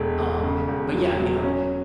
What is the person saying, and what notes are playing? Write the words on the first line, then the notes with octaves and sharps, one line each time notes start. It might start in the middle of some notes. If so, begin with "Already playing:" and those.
Um, but yeah, you know,
Already playing: E1 A3
A3
C#3
E1
F#3
F#3
C#4